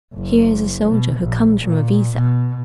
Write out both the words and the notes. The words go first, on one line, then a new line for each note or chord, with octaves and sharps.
Here is a soldier who comes from Iviza.
F#1
B2
A#1
A#2
B2